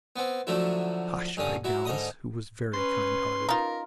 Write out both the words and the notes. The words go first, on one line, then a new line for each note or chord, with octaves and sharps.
"Hush!" begged Alice, who was very kind-hearted.
B3 C4
D3 F3 F#3 A3 E4
G2 D3 C#4 D#6
F#3 E4
G#2 D3 D#5 D#6
C#4 B4 C6
D#4 F4 A#4